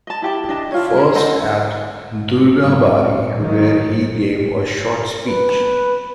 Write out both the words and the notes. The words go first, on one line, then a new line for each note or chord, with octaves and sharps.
First at Durgabari, where he gave a short speech.
D#5 A5
E4 G4 A5
D4 D#5 A5
E4 F4 C#5
C#4 G#4 A#4
A4 C5 D#5 F#5
G#2 F#3
A#2
D#3 F#3
B4